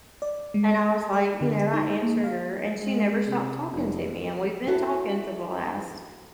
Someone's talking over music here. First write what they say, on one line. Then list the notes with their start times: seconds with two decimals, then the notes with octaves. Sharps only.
And I was, like, you know, I answered her, and she never stopped talking to me. And we've been talking for the last
0.22 D5
0.54 G#3
0.74 A#6
0.93 A5
1.13 D5
1.41 D3
1.73 D#4
2.03 A#3
2.24 F5
2.83 G#3
3.28 C3
3.73 F1
4.67 E4 F#4 A4